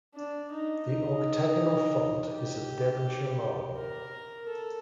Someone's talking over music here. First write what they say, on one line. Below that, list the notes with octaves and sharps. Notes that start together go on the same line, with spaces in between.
The octagonal font is of Devonshire marble.
D4
D#4
D#4
G4
A#4
A4